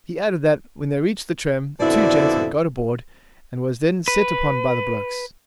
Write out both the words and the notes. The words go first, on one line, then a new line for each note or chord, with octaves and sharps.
He added that, when they reached the trem, the two gents had got aboard, and was then set upon by the blokes.
F2 B2 D3 E4 D5
B4